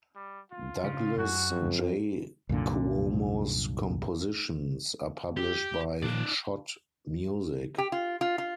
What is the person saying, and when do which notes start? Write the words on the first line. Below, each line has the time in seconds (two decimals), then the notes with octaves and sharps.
Douglas J. Cuomo's compositions are published by Schott Music.
0.15 G3
0.52 F4
0.84 C#3
1.18 F#2 F#4
1.51 F2
2.49 C2 F#2 A#2 D3
5.37 G4
6.03 A#2 D#3 F3 D#4 D5
7.78 G4
7.92 F4
8.21 F4
8.38 F4